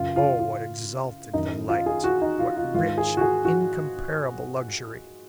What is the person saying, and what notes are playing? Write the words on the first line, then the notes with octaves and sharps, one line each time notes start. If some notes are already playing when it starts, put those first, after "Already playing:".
Oh! what exalted delight--what rich and incomparable luxury!
Already playing: F#2 C#3 F4
F4
F4
F#2 D#3 D#4
F4
G#4
F#4
D#4
F4
F4
G#2 D#3 F4
G#4
F#4
G#4
F#4